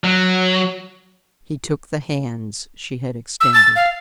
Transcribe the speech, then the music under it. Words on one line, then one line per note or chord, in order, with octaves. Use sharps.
He took the hands she had extended.
F#3
E6
A6
F5